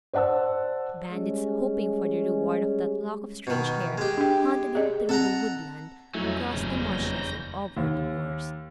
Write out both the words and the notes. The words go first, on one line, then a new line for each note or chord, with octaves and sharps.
Bandits, hoping for the reward of that lock of strange hair, hunted him through the woodland, across the marshes, and over the moors.
C5 D5 F#5 A5 E6
G3 G#3 C#4
B2 D#3
G#3 G4
D4 G5
G#4 D5 D#5
C4 A4 F#5 A#5
F2 F#3 G3 A3 C#4 D#4 E4
F#1 E2 G6 A#6
D#2